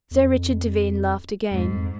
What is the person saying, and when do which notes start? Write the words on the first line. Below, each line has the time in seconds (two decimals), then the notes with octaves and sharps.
Sir Richard Devine laughed again.
0.11 E2
0.21 F2
1.51 F2 G#2
1.72 F2